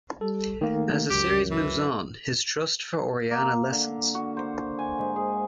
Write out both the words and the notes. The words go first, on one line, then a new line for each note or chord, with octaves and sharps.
As the series moves on, his trust for Oreana lessens.
G3 A4
D#3 A3 A#3
C#2 F#2 G4
E3
A#3
D3
F#4
C5
G#5
G#2
G#4